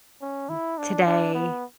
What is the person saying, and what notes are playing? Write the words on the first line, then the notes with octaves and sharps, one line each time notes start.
Hmm, today
C#4
E4
D4
D4
B3